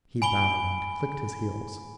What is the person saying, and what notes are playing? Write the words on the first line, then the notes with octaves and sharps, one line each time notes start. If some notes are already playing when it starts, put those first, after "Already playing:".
He bowed and clicked his heels.
G#5 B5 D7 G7